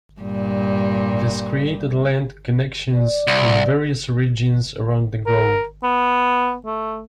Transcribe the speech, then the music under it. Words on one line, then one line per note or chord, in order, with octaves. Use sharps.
This created land connections in various regions around the globe.
G2 A#2 G3
D5
C2
A#4
B3
A3